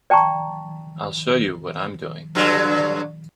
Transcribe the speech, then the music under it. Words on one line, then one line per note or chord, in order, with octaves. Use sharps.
I'll show you what I'm doing.
D5 G5 A5 A#5 C#6
G2 D3 F#3